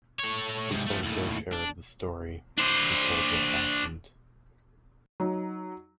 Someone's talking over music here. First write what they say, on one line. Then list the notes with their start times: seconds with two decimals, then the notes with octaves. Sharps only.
She told her share of the story — she told what happened.
0.19 A3 C#5
0.70 G#2 C3
0.87 F3 A3
1.02 D#2 A2
1.54 D4
2.58 D4 C5
5.20 F#3 D#4